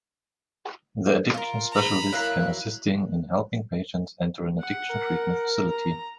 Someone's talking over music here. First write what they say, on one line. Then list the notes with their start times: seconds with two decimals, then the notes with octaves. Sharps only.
The addiction specialist can assisting in helping patients enter an addiction treatment facility.
1.34 F4 A#4
1.72 A#5 B5
2.12 F#3 A#3 E4 A#4 F5 F#6
4.61 F#5
4.90 A#4
5.68 A#5